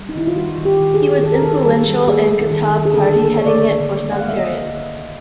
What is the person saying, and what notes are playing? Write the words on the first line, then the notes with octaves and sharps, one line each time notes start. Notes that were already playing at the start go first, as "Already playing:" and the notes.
He was influential in Kataeb Party heading it for some period.
Already playing: G3
D#4
D#3 E4
F4
G3 F#4
D#3
G4
D#3
G#4
D#3
D#3 A4
A#4
D#3 A4
G3 A4
G3
A#3 G#4
D#3
D#3 A4
D#3
G#4
D3 A4
A#3
D3 C#5
D5
D3 C#5
D3
A#3
F#5
A#3 F5
E5
D#5
A#3
D3
D3